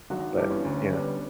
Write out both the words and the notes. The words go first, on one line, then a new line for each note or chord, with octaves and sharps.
But, yeah.
G#1 F#3 F#4
G2 E3 G3 G4
C#4 C#5
D2
D3 G3 B3 D4